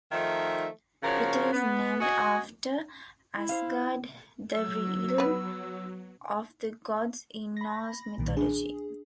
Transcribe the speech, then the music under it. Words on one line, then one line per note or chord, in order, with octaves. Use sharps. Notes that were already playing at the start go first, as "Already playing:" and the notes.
It is named after Asgard, the realm of the gods in Norse mythology.
D#3 F3 A3 D#4 E5
C#3 F3 F#4 A#4 C#5 F5
B3
F#4 D#5 G#5
E4
C5 F5
F#3 E6
B3 B4
B5 A#6
B1 A#2 D#3
D4 G#4